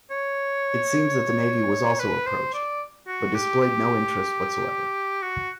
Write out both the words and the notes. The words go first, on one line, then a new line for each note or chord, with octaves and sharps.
It seems that the Navy was also approached, but displayed no interest whatsoever.
C#5
B4
C5
D5
F#4
G4
G4
F#4